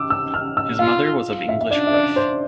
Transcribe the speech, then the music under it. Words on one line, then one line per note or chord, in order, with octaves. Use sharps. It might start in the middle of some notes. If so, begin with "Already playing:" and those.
His mother was of English birth.
Already playing: D6 E6
E6
F6
E6
F4 F5
E5
E5
D4 D5
E5
D5
C5